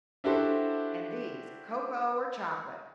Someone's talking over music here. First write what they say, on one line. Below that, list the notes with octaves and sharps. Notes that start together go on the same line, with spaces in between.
And these,--cocoa or chocolate.
D4 E4 F#4 G4 A4 C5